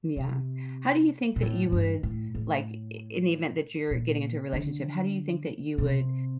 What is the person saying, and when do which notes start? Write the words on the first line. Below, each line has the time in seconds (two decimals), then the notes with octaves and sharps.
Yeah. How do you think that you would, like, i i in the event that you're getting into a relationship, how do you think that you would
0.16 C3
1.36 A#2
1.42 A2
1.72 G2
2.03 A2
2.35 A2
3.91 A#2
4.53 D3
5.78 C3